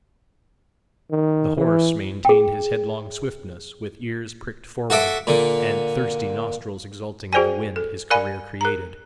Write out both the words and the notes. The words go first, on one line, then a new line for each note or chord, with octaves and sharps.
The horse maintained his headlong swiftness, with ears pricked forward, and thirsty nostrils exulting in the wind his career created.
D#3
E3
G#4 G5
F#4 A4 E5 D6
A#2 D3
F#4 G#4 C5 D5 G5 G#5
A4
A#4 D5 F5 G#5 B5
A#4 A#5